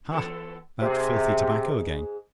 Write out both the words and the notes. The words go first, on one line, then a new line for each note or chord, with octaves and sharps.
Ha! that filthy tobacco again!
E3 B3 A4
G#2 C3 G#4